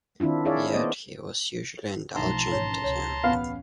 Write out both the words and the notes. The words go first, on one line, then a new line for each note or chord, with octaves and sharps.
Yet he was usually indulgent to them.
D#3 C4 D4 E4 F4
E4 G#4 C#5 D5 E5 F5
A#3 B3 C5 D5 D#5
B1 F3 A3 D4 D#4 A5 A#5 C6
G#1 E3 C#4 C#5 B5
C#2 C3 C#5
A1 E2 B3 C#4 F5